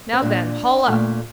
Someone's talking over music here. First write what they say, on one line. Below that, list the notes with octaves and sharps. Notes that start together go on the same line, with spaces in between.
Now, then, haul up.
C4
A#2 D4
A#2 A3